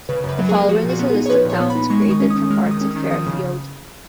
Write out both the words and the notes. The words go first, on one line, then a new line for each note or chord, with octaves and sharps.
The following is a list of towns created from parts of Fairfield.
C#3 B4
F#2 B4
F#3
G#4
A#3
F3 F#4
A#2 F#4
B3
G#4
D#4
C#5
F3 B4
A#2 C#5
B3
B5
D#4
G#3 C#6
D#3 C#6
D#6
C#4
D#6
D#3
G#3 F6
D#3
D#6
C#4
D#6
D#3
F3 D#6
C#3